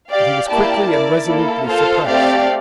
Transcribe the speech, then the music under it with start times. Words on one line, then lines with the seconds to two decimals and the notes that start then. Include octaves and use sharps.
But he was quickly and resolutely suppressed.
0.09 G4 D5 F5
0.49 A#3 E4 G4 D5 A5
0.88 E4 A#4 D5
1.28 A#3 E4 A4
1.67 F4 A4 C5 F5
2.07 A3 C4 G4 D5 F5